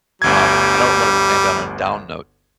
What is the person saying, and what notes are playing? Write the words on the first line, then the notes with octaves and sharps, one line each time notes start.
Um, I don't wanna end on a down note,
G1 D2 G3 G#6